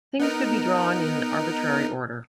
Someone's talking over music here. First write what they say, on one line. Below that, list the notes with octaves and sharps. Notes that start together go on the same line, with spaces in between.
Things could be drawn in arbitrary order.
B3 D#4 A#4